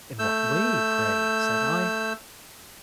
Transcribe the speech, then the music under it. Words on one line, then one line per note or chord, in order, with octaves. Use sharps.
'In what way, pray?' said I.
A3 E6 G6